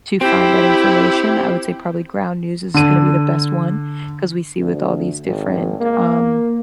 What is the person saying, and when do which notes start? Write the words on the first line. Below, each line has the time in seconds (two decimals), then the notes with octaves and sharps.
to find that information. I would say probably Ground News is gonna be the best one 'cause we see with all these different, um
0.21 C4 E4 G4
2.74 D3 D#7
4.61 D2
5.25 G#1
5.80 A#3